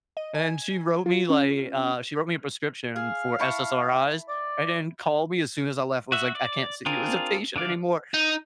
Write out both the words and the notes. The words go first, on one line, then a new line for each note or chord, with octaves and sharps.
And she wrote me like, uh, she wrote me a prescription for SSRIs, and then called me as soon as I left, was like, "I can't see you as a patient anymore."
D#5
G#5
F4
C#4
G#4 F5
E4 A5 C#6
D5
F#4 E5
D5
C4 D4 F4 G#4 A#4
D3 E3 D5 F5
D#4